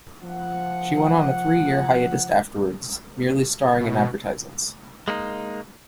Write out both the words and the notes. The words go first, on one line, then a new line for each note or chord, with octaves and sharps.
She went on a three-year hiatus afterwards, merely starring in advertisements.
F3 F#5
B2
G#3 A#3 C#4 D#4